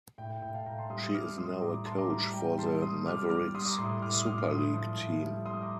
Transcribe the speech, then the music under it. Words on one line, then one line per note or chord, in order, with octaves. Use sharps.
She is now a coach for the Mavericks Superleague team.
A2 G5
G5
A2 G5
F5 A5
A2 G5 A#5
A5 C6
G3 C6 D#6
C6 D#6
G3 D6 F6
G3 C6 D#6
A2 A#5 D6
A2 A5 C6
A#5 D6
G3 A#5 D6
G3 G5 A#5
G3 A5 C6
G3 C6 D#6
G3 D6 F6
G3 D6 F6
G3 C6 D#6
A#5 D6
A2 C6 D#6
A2 D6 F6
C6 D#6
A2 D6 F6
C6 D#6
A2 C6 D#6
F3
A2
G3
G3 C6 D#6
A#5 D6